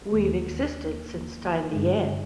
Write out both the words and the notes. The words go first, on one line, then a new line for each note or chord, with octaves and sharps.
We've existed since time began.
D#2 D#3 A#3
G2 D3 G#3